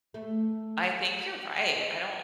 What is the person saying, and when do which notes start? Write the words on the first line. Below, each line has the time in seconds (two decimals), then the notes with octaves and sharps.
I think you're right, I don't
0.14 A3
1.75 D#5